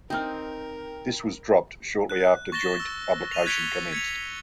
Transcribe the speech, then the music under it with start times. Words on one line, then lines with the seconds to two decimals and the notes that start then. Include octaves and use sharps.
This was dropped shortly after joint publication commenced.
0.10 C4 D#4 A#4 G5 F6
2.09 F#6
2.52 C#6 A6 A#6 E7 G7
2.80 E6
3.32 A#6 D#7 F7
3.46 F#6 G#6 B6 C#7 F7 G7
3.92 G#6 C#7 F7